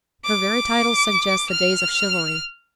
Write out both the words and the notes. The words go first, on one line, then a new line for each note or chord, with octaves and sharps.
Her very titles suggest the days of chivalry.
D6
F6